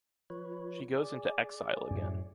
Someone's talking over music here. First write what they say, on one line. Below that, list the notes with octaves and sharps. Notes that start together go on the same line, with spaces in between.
She goes into exile again.
F3 B4 C#5
G#4 D5
F#2 A2